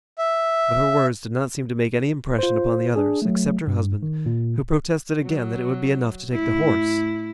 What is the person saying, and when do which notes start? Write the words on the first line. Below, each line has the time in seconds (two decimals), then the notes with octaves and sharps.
But her words did not seem to make any impression upon the others, except her husband, who protested again that it would be enough to take the horse.
0.18 E5
2.39 F4 C5
2.96 D4 G#4
3.22 F#3 A3
3.67 G2
4.03 D#3
4.26 A#2
5.24 F#3
6.33 A2 E4